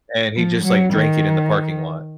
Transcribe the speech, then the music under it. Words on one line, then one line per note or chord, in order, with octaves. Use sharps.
and he just, like, drank it in the parking lot.
F3
F#3
D#3